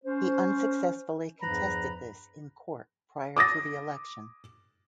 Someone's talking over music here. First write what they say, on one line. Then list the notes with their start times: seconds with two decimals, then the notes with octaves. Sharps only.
He unsuccessfully contested this in court prior to the election.
0.04 C#4 C5
1.42 E2 G2 F3 B4 A#5 B5
3.36 D6 D#6 A6 A#6